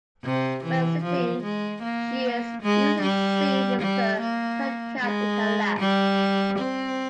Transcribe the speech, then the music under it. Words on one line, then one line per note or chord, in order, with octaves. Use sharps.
When sitting, she is usually seen with her pet cat in her lap.
C3
E3
F3
G#3
A#3
G#3
G3
G3
A#3
G#3
G3
C4